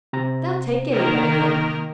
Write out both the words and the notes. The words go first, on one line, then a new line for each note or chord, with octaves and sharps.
They'll take anybody in.
C3 A#5
D#3 A#3 A#4